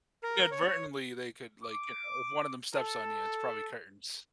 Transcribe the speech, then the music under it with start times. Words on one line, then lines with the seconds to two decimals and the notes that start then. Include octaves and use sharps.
Inadvertently, they could, like, you know if one of them steps on you, it's probably curtains.
0.24 A#4
0.51 C#5
1.63 D6
2.75 A4